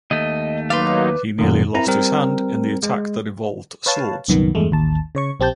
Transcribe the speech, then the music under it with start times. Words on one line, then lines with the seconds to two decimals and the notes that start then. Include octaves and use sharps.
He nearly lost his hand in the attack that involved swords.
0.11 D#2 A3 D#5
0.70 F#3 A#3 D#4 B4 D5 F5 C6
1.39 F#2 A#2 D#3
1.75 C4 E4 A#4 A#5
1.87 G3 C4 A#4
2.83 G#3
3.86 B4 C#5 F5 A5
4.28 C2 F#2 A#2 D#3 B3
4.55 E2 G2 G#3 A3
4.71 A1 D#2 A5
5.15 C#3 C#5 C#6
5.40 A#1 C4 G4 A5 G6